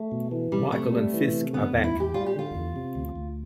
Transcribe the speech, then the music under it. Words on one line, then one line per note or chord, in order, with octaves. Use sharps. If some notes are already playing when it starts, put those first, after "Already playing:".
Michael and Fisk are back.
Already playing: A3
B2
E3
C3 G3
C3 A3
G3
E3
C3
D3 B3
E2
E4
E2
G4
G3 F4
G4
D3 F4
E2
C3
D2
D2